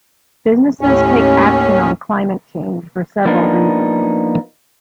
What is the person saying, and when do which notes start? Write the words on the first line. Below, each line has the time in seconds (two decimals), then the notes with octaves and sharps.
Businesses take action on climate change for several reasons.
0.81 D#2 A2 C#4
3.25 F3 A#3 B3 D4 D#4